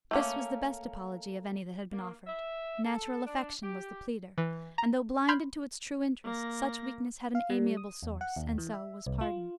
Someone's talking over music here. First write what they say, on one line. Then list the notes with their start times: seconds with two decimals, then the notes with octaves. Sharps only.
This was the best apology of any that had been offered; natural affection was the pleader; and though blinded to its true interest, such weakness had an amiable source, and so was pardoned.
0.11 A3 A#3 C#4
1.93 A#3
2.27 E5
2.85 A4
3.27 D4
3.63 G4
4.38 E3
4.78 A#5
5.28 B5 C6 F6 G6 G#6
6.24 A#3 A#6
7.35 F5
7.50 G3
7.77 D#6
8.03 E2
8.21 F#5
8.36 D#2
8.58 E3
8.74 E5
9.06 C2
9.21 F4